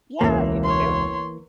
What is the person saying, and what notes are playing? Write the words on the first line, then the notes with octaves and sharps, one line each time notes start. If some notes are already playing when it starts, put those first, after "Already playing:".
Yeah, you too.
E1 C#2 E3 A#3 E5
C#5 C6